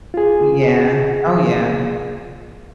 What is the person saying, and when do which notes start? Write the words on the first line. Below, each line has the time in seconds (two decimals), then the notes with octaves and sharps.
Yeah. Oh, yeah.
0.14 F4 G#4